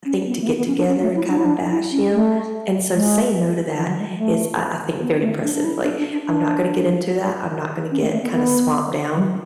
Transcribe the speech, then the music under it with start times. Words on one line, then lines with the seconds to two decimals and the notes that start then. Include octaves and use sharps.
think, to get together and kind of bash him, and so saying no to that is, I I think very impressive, like, "I'm not gonna get into that, I'm not gonna get kinda swamped down
0.05 C#4
0.27 B3
0.41 A3
0.47 B3
0.57 B3
0.67 C#4
0.78 D4
0.88 C#4
1.02 A3
1.15 E4
1.29 D4
1.38 E4
1.45 D4
1.71 E4
1.92 C#4
2.13 A3
2.95 G#3
3.77 E3
3.88 F#3
3.99 G#3
4.09 F#3
4.18 A3
5.02 B3
5.22 A3
5.43 D4
5.54 D4
5.64 E4
5.84 D4
5.98 D4
6.12 D4
6.25 D4
7.91 C#4
8.01 A3
8.12 A3
8.22 B3
8.32 B3
9.15 F#3